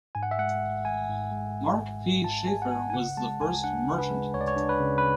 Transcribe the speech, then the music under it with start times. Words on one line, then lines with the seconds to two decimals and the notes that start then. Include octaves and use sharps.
Mark P. Sheffer was the first merchant.
0.15 G#2 G#5
0.23 F#5
0.31 E5
0.39 G#3 F#5
0.62 G#1
0.85 G#1 G#5
1.09 G#2
1.31 G#3
1.54 G#1
1.78 G#1
2.02 G#2
2.24 G#3 A5
2.47 G#1 G#5
2.62 F#5
2.72 G#1 G#5
2.90 G#5
2.94 C#3 F#5
3.17 G#3 A5
3.40 D2 G#5
3.64 D4 F#5
3.87 C#3
3.98 B4
4.11 G#3
4.34 D2 C#5
4.41 D5
4.48 C#5
4.56 D4
4.69 B4
4.80 C#3
4.98 B4